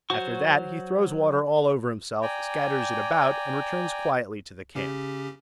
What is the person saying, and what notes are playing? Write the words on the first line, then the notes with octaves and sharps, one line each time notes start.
After that he throws water all over himself, scatters it about, and returns quietly to the camp.
F#3 F#4 C5 C#6
D5 G5 G#5 A#5
C#3 C#4 G4